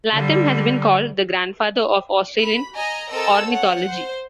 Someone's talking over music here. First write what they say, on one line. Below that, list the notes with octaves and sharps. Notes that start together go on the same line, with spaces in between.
Latham has been called the "grandfather" of Australian ornithology.
D3 G3
B5
D#5 G#5 A#5
C4 A4 A#4 D#5 E6
C#5 F#5
C5